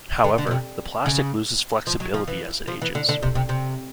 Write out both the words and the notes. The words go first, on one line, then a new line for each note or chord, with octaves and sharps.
However, the plastic loses flexibility as it ages.
D3
D3
B2
C3
C#3
F3
F#3
F3
E3
F3
E3
D3
D3
C3
C3
C3